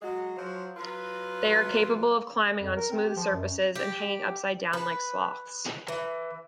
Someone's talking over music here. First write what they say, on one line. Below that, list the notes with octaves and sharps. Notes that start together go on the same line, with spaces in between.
They are capable of climbing on smooth surfaces and hanging upside down like sloths.
F#3 G#3 F#4 G#4
F3 F#3
F#3 F4 B4
F2
A#4
C4
G4
F3
F#2
G4
B4
E3